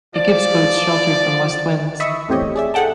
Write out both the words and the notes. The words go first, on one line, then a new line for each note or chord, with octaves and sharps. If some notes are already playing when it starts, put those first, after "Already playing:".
It gives boats shelter from west winds.
F3 D5
D#5 E5 B5 C#6 D#6 E6
E2 A2 C4 G4 C#5 D#5
G#4 D5 E5
G#4 A4 F#5 G5 A5